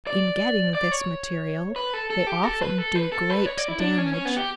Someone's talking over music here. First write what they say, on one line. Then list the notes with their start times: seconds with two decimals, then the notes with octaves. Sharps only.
In getting this material they often do great damage.
0.07 D5
0.75 D5
0.91 C#5
1.76 B4
1.93 A4
2.10 A4
2.27 G4
2.44 A4
2.61 B4
2.78 A4
2.95 B4
3.12 A4
3.30 B4
3.46 C#5
3.58 D5
3.68 E4
3.80 D4
3.98 C#4
4.14 C#4
4.25 B3
4.37 G4